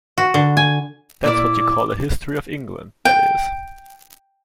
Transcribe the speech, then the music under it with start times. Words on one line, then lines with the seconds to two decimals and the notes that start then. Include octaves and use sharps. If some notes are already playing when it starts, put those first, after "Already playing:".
That’s what you call a History of England, that is.
0.18 F#4
0.34 D3
0.57 G#5
1.24 A#2 E4 D5 D6
3.05 G5